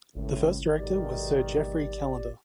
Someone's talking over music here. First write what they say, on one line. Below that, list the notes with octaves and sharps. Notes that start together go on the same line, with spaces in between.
The first Director was Sir Geoffrey Callender.
G#1 C#2 A2
B1 G#2 D#3 G4 D5